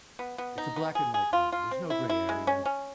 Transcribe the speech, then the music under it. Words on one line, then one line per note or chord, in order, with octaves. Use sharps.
it's a black and white world, there's no gray area,
B3
B3
D#4
B3
G#4
G#4
F4
F4
C4
E4
E4
G#3
C#4
C#4